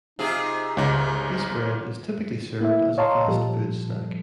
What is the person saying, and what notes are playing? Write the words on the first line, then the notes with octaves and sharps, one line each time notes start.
This bread is typically served as a fast food snack.
C3 D#4 F4 G#4
G1 C#2 G#2 D#4
A#3 E4 E5
C#5 D#5 F5 A5 A#5 C6
A#2 F3 G3 A4